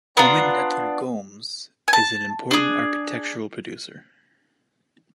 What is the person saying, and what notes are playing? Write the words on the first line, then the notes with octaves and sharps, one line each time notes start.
Comendador Gomes is an important agricultural producer.
B3 D4 F4 A#5
G#5
A5
D4 F4 G#4